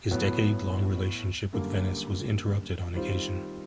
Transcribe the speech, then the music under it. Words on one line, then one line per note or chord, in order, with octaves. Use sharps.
His decade-long relationship with Venice was interrupted on occasion.
A2 F#3 B3
F#2 D3 G3 A#3
D#3 G3 C4 F4